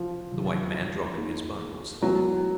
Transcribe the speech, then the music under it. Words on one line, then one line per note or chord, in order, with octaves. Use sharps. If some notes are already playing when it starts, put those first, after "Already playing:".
The white man, dropping his bundles, followed.
Already playing: F3
C3 D#3 F#3
A#3 D#4 G#4
F#3 G#3 B3 E4